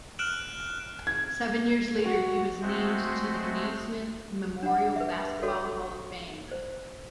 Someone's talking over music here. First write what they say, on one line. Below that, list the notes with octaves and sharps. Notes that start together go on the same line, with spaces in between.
Seven years later he was named to the Naismith Memorial Basketball Hall of Fame.
F6 F#6 D7 E7 F#7
G#6
F#4
G#3 A3 C4 F#4 C5
D4 F#5
B4 E5
F#4 A4 C#5
C5